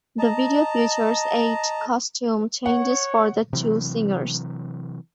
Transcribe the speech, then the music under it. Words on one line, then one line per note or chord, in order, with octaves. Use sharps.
The video features eight costume changes for the two singers.
D#5 A5 A#5
C#5 F#5
C3 E3 F#3